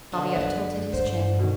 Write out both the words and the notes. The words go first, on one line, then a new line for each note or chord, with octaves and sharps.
Bobby uptilted his chin.
B2 D3 D4
F#2 B4 A#5
G2 C5
B2 D#3